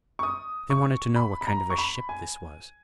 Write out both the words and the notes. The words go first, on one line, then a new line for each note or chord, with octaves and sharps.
They wanted to know what kind of a ship this was.
C#6
D#6
C#6
B5
B5
A#5
C#6
B5
G#5